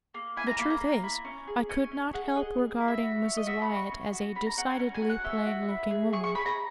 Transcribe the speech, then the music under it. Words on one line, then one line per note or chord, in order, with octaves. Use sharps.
The truth is, I could not help regarding Mrs. Wyatt as a decidedly plain-looking woman.
A#3
E4 G#5
A#5
A#3 B5
A#5
A#3
E4
C#4
G#4
C#4 G#5
C#4
G#4 F#5
G#4 D#5
G#4
E4
E5
F#4
C#4
D#5
F#4 E5
B5
F#4
C#6
C#4
F#4
C#4 B5
A#5
C#4 F#5
G#5
C#4 A#5
G#5
F#4
F#5
C#4 E5
F#4
E4
G#4
G#4 C#6
C#6
G#4 B5
A#5